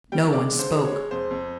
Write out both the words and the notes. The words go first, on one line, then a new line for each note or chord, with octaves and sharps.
No one spoke.
G3 G5
G#3 D5
D3
C5
G#3
C#5
G#3
F2 C5
F2